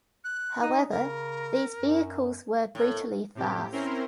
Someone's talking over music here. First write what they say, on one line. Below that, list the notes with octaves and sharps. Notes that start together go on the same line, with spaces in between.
However, these vehicles were brutally fast.
F#6
D#4
C#3 A#4
F#2
A2
A2 C3 G4
C4 C#4 E4 A#4 A#5 C6